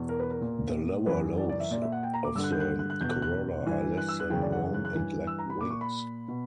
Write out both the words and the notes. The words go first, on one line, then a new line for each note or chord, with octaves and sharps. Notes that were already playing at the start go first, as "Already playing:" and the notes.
The lower lobes of the corolla are less than long and lack wings.
Already playing: E2 B2
A#4
B4
A#4
A#2
F#2 E3 B4
D5
D5
E5
A#2 D5
E5
F#5
G5
A#5
D6
G2 D3 E6
F#6
G6
F#6
F#6
F#6
E2 B2 G6
F#6
F#6
G2 E3
F#6
E6
F#6
F#2 C#3 E3 G5
D5
F#5
F#6
F#6
G2 E3
E6
A#5
B5
A#2 D6
C#6
B5
B2